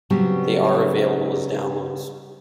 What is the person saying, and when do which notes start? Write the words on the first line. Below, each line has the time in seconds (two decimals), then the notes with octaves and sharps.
They are available as downloads.
0.10 C#3 F#3 G3 B3 C4 G4